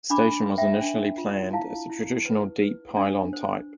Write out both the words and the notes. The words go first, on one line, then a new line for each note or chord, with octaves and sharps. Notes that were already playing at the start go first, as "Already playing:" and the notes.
The station was initially planned as a traditional deep pylon type.
D4 B5 D6
B4
E5 G5
D4
F4
E4 F5 A5
E4
B4
B4
D4
C5